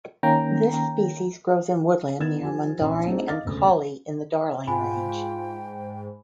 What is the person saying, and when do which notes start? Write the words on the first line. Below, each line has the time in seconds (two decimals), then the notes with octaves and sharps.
This species grows in woodland near Mundaring and Collie in the Darling Range.
0.23 D#3 A#3 C#4 G5 A#5
2.20 D#3 B3 E4 G#6 A6 E7
2.42 F3 G4 G#5
2.81 A#1 C#4 D#4 C6
3.06 A3 C4 D4 D#4 F4 G#4
3.28 D#5 F5 D6 F6 A6 A#6
3.45 E1 D2 C#3
4.67 G#2 F4 G5 G#5 B5